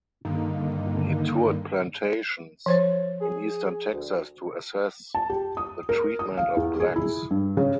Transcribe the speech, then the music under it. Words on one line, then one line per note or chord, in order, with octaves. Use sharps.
He toured plantations in eastern Texas to assess the treatment of blacks.
G2 D3 D#3 A#3 D#4
F3 C5 C#5
G#4
D2
A5
G4
D#6
A#4
D#6
F5
E2
G#4
E4
G2
C#3